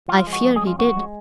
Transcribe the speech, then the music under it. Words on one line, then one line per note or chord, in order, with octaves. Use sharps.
I fear he did.
F3 F4
G#3
F#4
F2
G#3 G#4
C#4
F4
F3 F#4
G#3